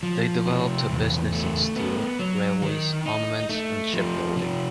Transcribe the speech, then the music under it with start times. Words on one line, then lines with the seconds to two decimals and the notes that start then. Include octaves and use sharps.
They developed a business in steel, railways, armaments, and shipbuilding.
0.03 F3
0.46 C3
0.89 E2
1.33 A3
1.76 B3
2.19 F#3
2.62 D#3
3.06 D#4
3.49 A3
3.93 F3
4.36 C3